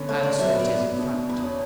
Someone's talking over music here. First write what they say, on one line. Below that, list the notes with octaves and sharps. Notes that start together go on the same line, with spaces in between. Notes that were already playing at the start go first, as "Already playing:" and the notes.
And so it is in fact.
Already playing: D3 B3 C#4
A3 C#5
C#4 D5
F#3 E5
B3
D5
B3
B3
B2
B2
E2 B4
C#4